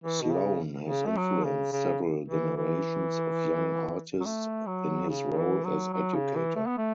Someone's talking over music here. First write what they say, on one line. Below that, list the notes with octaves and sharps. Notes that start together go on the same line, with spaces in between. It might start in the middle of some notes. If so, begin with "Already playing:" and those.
Sloan has influenced several generations of young artists in his role as educator.
E3
B2
C#3
C#3
A3
F#3
C#3
C#3
E3
E3
F#3
A3
F#3
C#3
C#3
E3
F#3
F#3
C#3
E3
A3
B3
A3